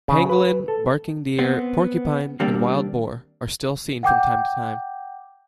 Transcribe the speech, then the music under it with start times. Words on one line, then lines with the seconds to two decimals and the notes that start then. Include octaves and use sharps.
Pangolin, barking deer, porcupine and wild boar are still seen from time to time.
0.08 C#3
0.29 B4
0.68 A4
1.39 B3 C4
2.40 D#2 G3 A#3 C4 D4
4.03 F#5 G5 D6 G6